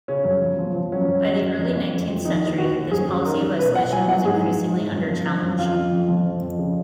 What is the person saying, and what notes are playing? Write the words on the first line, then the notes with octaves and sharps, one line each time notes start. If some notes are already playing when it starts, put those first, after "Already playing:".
By the early nineteenth century, this policy of isolation was increasingly under challenge.
C#3 C#4
F#2
F3
F3
F3
F#3 C#4
F#2
F#3
F#2
F2
F3
F2
F2
D#2 D#4
D#3
D#2 F#4
D#2
F#2 G#4
F#2
D#3 A#4
F#2
B2 B4
B2 F#5
F#3 G#5
F#3 F#5
G#2 G#4
F3
G#2
G#2
F#2
F3
F3
F#2
F2 F4
F2
F2
F3
F2
F2
C#3